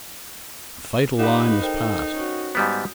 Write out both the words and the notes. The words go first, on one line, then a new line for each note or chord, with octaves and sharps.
The fatal line was past.
D#4 G4 B4 F5 F#5 E7
A4 A#4 C5 G5
C#4 F#4
G#2 G3 B3 D#6 G6 B6